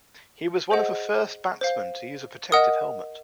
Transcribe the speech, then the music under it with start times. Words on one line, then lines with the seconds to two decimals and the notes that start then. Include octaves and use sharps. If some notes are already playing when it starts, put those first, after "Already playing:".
He was one of the first batsmen to use a protective helmet.
0.70 G#4 C5 D#5 F#5
1.61 C5 F5
2.52 A#4 D#5 F#5 D#6